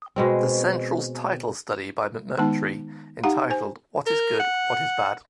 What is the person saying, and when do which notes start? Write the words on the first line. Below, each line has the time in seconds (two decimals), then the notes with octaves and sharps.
The central title study by McMurtry, entitled, What is Good, What is Bad?
0.16 B2 G#3 C4
2.38 D#3 G#3 B3 D#4 A5
3.24 D#4 G4 F5 F#5 A#5
3.50 C5 G#5
4.07 A#4
4.40 F#5